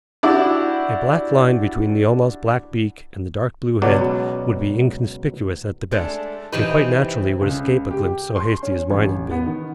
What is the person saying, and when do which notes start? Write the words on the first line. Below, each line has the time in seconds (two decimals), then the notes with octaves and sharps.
A black line between the almost black beak and the dark-blue head would be inconspicuous at the best, and quite naturally would escape a glimpse so hasty as mine had been.
0.23 D4 E4 F#4 G4 D5
3.82 C#2 B2 F#3 D5
5.92 G#3 A3 D4
6.52 C3 E3 D#4 B4 G5
7.41 C#2
7.91 G4
8.36 C6
8.63 C#4
8.90 A1
9.31 B3
9.46 D#3